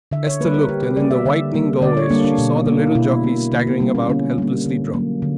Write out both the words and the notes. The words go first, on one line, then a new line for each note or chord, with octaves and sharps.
Esther looked, and in the whitening doorways she saw the little jockey staggering about helplessly drunk.
D3 E5
C#5
G3 A#3 B4
A#4
D3 G4
G4
G3 A#3 D5
E5
D3 E5
G3 A#3
D3 D5
C#5
G3 A#3 D4
D4
B2
A#3
B2 E4
A#3
D3 A#3
B3
G3 A#3
C#4
D3 C#4
G3 A#3
D3
F#3 A#3
D3